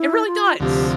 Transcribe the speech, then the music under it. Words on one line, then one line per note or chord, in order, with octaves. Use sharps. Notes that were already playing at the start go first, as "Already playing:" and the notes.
It really does.
Already playing: E4
F4
D2 C3 F3 G4